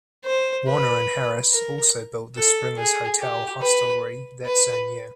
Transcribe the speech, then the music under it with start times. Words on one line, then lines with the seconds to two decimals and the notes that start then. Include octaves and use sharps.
Warner and Harris also built the Springer's Hotel hostelry that same year.
0.25 C5
0.67 B4
1.51 A#4
2.36 A4
2.77 G#4
3.20 G4
3.62 B4
4.45 B4